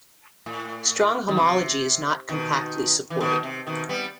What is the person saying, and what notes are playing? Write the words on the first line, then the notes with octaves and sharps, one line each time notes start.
Strong homology is not compactly supported.
A2
D#3
C3
B2 D#3
E3
B2 D#3
C3
B2 D#3
G3 B3